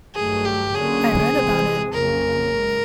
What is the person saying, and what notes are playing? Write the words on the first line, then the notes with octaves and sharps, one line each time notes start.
I read about it.
G2 D#3 F#3 A3 G#4
G4
D3 F#3 A#3 C#4 G#4
C3 E3 G#3 C4
F2 C#3 F#3 A#3 C#4 A#4
G#2